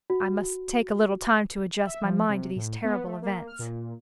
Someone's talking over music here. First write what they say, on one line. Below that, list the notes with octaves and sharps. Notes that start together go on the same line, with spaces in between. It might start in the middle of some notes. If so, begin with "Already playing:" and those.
I must take a little time to adjust my mind to these terrible events.
F#4
E5
F3
C3
A2
B3
A3
A#3
F6
A#2